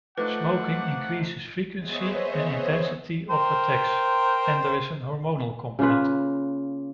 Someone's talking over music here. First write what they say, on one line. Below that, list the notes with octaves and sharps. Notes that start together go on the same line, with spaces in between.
Smoking increases frequency and intensity of attacks, and there is a hormonal component.
F3 A3 D#4 B4 F#5 D6
B3 G#4 C5 C#5 D#5 E5
A#4 C5 G5
C#3 A#3 F4 B4